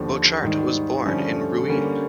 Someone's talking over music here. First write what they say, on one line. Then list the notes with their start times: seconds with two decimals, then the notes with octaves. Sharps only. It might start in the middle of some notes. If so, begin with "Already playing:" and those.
Bochart was born in Rouen.
Already playing: D#2 D3 F3
0.42 G#2 D#3 G3
1.06 G2 D3 F3 A3 C#4
1.68 D3 G3 A#3 C#4